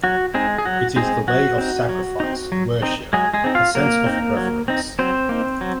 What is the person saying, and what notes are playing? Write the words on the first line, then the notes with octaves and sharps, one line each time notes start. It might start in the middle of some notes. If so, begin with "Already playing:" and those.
It is the way of sacrifice, worship, a sense of reverence.
F#3 F#4
G#3 C4 D#4 G#4
G#4
F#3 F#4
G#3 C4 D#4 G#4
F#3 F#4
C4 D#4
F#3
C4 D#4
F#3
C4 D#4
F#3 G#3 G#4
G#3 G#4
C4 D#4
F4 F5
F#3 A#3 A#4
C4 D#4
F#3
C4 D#4
F#3 C4 C5
A#3 D#4
F#3